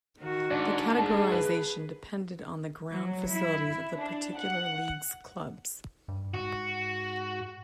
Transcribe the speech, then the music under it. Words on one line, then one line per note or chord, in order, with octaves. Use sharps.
The categorisation depended on the ground facilities of the particular league's clubs.
D#3 F#4
G#2 D4 D5
G#4 A5
B4
F#3
E4
D4
F#5
G2
G#2 F#4